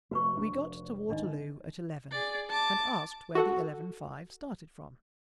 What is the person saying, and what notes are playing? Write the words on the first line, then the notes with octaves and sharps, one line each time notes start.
We got to Waterloo at eleven, and asked where the eleven-five started from.
F1 A3 F#4 B4 C#6
F1 D4
G#1 D4 D#4 D#5
G#4 D5
A5 D6
F#4 A4 F#5